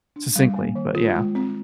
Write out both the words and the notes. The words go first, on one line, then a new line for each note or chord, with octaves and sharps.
succinctly, but yeah.
D4
G3
A#3
D#3
F4
G#3
C4